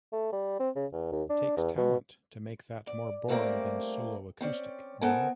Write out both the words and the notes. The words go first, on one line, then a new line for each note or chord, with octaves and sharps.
Takes talent to make that more boring than solo acoustic, no?
A3
G3
C4
C#3
E2
D#2
D4
E2
B2
D5
G2 A3 A#3 C4 A#4 D5
C4 C#4 D5
B3 C4 A4 A#4 G#5